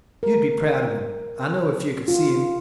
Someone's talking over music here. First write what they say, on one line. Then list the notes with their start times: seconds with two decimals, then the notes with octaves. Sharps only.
You'd be proud of him, I know, if you could see him.
0.23 A#4
2.08 F4